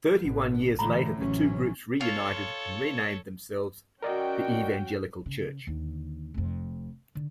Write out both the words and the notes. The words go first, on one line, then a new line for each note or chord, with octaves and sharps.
Thirty-one years later the two groups reunited and renamed themselves "The Evangelical Church".
A1 D3 B3
A2 D3 E3 A#5 B5
A1 C3 E3 F#3 C#4
F4 A4 C#5
C#4 F#4 A#4 D5 D#5 G5
C#3
D#2 D3
F1 F2
D3